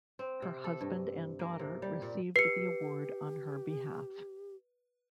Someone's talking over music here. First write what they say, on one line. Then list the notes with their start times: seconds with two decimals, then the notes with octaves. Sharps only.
Her husband and daughter received the award on her behalf.
0.19 C4
0.42 C3
0.64 A4
0.81 G2
1.39 A#3
1.59 C3
1.82 G3
2.02 A#2
2.36 G4 B4 C7 C#7